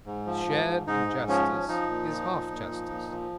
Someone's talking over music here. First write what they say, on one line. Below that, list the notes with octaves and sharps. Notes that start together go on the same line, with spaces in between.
Shared injustice is half justice.
G#2
F3
G#2
G#2
G#2 D#4
G#2
F3 C#4
F3
F3 D#4
A#2
F3
A#2
A#2
F3
A#2
F3